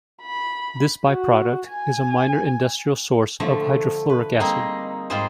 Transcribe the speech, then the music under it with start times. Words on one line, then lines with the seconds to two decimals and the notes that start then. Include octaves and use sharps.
This byproduct is a minor industrial source of hydrofluoric acid.
0.22 B5
1.07 F#4
1.68 G#5
3.40 D3 F3 A3
4.09 B4
4.40 G3 A#3 C4 D#4 G#4
5.10 G#2 G3 G#3 F4 G#4 C5